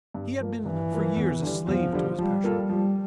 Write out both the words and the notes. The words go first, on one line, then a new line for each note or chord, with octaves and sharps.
He had been for years a slave to his passion.
G2
F3 A#3
G2 E3
F3 A#3
E2
D3 G3
E2 F3
D3 G3
F3 G3
A#3 F4 A4
F3 G3